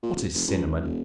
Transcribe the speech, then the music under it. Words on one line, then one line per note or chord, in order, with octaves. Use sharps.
What is Cinnamon?
A#2
D#1
F1
C#2
G#1
E1